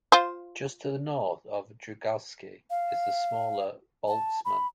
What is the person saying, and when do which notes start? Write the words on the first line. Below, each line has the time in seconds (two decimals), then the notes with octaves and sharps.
Just to the north of Drygalski is the smaller Boltzmann.
0.12 F4 C5
2.70 F5
4.08 A5
4.45 B5